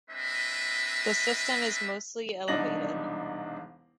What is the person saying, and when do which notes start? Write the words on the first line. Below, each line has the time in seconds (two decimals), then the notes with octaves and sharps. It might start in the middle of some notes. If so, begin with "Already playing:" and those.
The system is mostly elevated.
0.10 G#3 C4 D4 B4 D#5 E5
2.48 E1 C2 D4 D#4 A#6 F#7